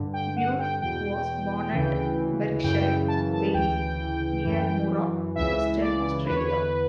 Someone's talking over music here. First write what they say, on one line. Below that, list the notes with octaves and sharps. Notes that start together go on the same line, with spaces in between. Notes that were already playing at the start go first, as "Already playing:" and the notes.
Burke was born at Berkshire Valley, near Moora, Western Australia.
Already playing: G2 D3
G5
F#5
G5
E2 B2 G5
D2 C#3 E3
F#2 C#3 E3 G5
A5
A5
D2 C#3 E3 G5
F#2 E3
C#2 C#3 E3 E5
D5
E2 D3 B4
C#5
B4